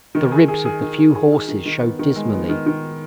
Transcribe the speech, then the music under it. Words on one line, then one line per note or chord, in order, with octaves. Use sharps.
The ribs of the few horses showed dismally.
D#3
G#4
G#4
G#4
D#3
G#4
G#4
G#4
D#3
D#3
B3
D#3
G#3
B3
D#3
D#3